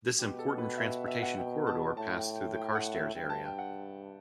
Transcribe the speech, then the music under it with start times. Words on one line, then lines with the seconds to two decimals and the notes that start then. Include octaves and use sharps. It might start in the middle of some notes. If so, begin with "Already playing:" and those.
This important transportation corridor passed through the Carstairs area.
0.19 B2 G4
0.39 A4
0.58 B4
0.77 E5
1.08 E5
1.23 F#5
1.37 B2 G5
1.67 A5
1.97 A2 A5
2.16 G5
2.36 G5
2.55 G5
2.75 F#5
2.95 E5
3.15 G2 G5
3.30 A5
3.45 G5
3.59 F#5